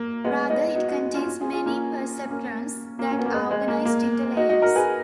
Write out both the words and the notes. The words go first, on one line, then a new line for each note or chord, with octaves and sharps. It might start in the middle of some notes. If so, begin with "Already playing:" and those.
Rather, it contains many perceptrons that are organized into layers.
Already playing: A#3
G#3 B3
B3 D#4
D#4 F#4
D#4 F#4
C#4 F4
F4 G#4
F4 G#4
A#3 C#4
A#3 C#4
A#3
C#4
B3
A#3
G#3
G#3
A#3
A#3
D#4 F#4
D#4 F#4
F#4 A#4
G#4 B4